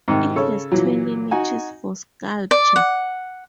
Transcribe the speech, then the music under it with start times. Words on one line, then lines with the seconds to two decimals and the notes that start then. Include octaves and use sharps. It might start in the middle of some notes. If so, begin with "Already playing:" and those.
It has twenty niches for sculpture.
0.08 G#2 C3 D#3
0.36 C#3 A4 C#5
0.72 A#2 E3 F#3
1.31 D#4 F#4 G#5
2.51 D5
2.76 F#5